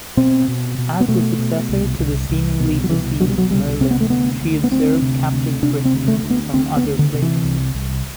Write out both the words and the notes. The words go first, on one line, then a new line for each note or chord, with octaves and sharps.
As the successor to the seemingly deceased Merlyn, she observed Captain Britain from Otherplace.
B2 C4
B2
B2
B3
B2 A3
B2
C2
C2
C2
B2
F#3
C2 E3
B2 F#3
G3
F#3
C2 G3
C3 C4
B3
A3
D2 B3
D2
B3
D2 C4
C3
D2
C3 D4
C4
D2
A3
D2
B3
D2 C4
B3
D2
D3
C3
E3
C2
C2